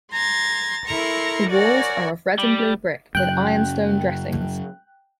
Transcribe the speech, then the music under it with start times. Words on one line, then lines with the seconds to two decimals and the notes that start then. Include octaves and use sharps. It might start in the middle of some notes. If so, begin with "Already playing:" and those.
The walls are of red and blue brick with ironstone dressings.
0.12 A#5 C6 G#6 A6
0.86 E4 A4 A#4 A#5 C6 C#6
1.49 F#4 A#4 C#5 D5 F#5 G#5
2.38 G3
3.15 F#2 C#3 F#3 G5 F#6